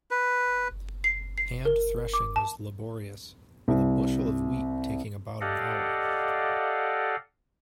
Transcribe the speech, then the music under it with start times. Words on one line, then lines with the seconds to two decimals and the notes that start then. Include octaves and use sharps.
Hand threshing was laborious, with a bushel of wheat taking about an hour.
0.11 B4
1.04 C7
1.38 C7
1.65 A#4
2.13 D6
2.36 A5
3.68 C2
5.41 G4 A4 D5 D#5 F5 F#5